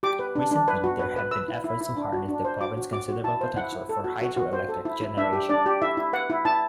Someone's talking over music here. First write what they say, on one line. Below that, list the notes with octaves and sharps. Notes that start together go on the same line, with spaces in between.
Recently, there have been efforts to harness the province's considerable potential for hydroelectric generation.
G4 D6
B4
D4
D4
B4
F#4
B4
B4
B4 E6
E4
E4
E4
D4
F#4
D4
C5
F#4 D6
F#4
F#4 D6
F#4
E4 A5
C5
E4 F#5
E4
A4
F#4
F#4
F#4
C5
A4
E4
E4
D4 E5
G4
D4 D5
G4
E4 E5
E4
B4 F#5
E4
E4 A5